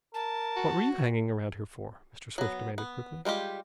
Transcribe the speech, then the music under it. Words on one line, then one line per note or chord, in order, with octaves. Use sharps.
"What were you hanging around here for?" Mr. Swift demanded quickly.
A#4 A5
F#4
F#3 B3
B3
G3 G#3 F4 G4